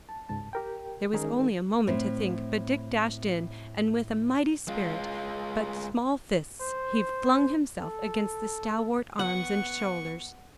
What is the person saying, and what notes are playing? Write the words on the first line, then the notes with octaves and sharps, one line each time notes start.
There was only a moment to think, but Dick dashed in, and with a mighty spirit, but small fists, he flung himself against the stalwart arms and shoulders.
A5
C#2 G#2 A5
G4 A#4 G5
D#3 G#3 C#4 D#4 G#4 A#4
A2 C4
G#3 F4
C5
A4
B3 F#5 C#6